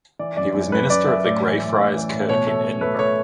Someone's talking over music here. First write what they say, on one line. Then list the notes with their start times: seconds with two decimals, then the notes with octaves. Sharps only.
He was minister of the Greyfriars Kirk in Edinburgh.
0.19 E3 D5
0.37 F#2 D5
0.55 F#2
0.71 F#2 B4
0.90 F#2 D5
1.07 F#2 E5
1.25 A2 D5
1.42 E3
1.59 A2
1.77 A2
1.95 E3
2.12 A2
2.29 B2 C#5
2.47 A3
2.64 A3
2.81 A3 B4
2.99 A3 C#5